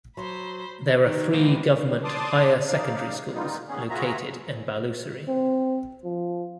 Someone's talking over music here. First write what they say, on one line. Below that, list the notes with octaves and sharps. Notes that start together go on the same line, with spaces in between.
There are three government higher secondary schools located in Balussery.
F#3 C5 B5 C6
D#3
E3 G#3 A#3 B3 G4
A#3 C4
D5 A5 C6 D6 D#6
C#3 D#4 D5 F5
G3 A#3 B3 D#4 F4
D#3 A#3 B3 C#4 G#4
B3 F4 F#4 G#4 E5 A#5
C4
F3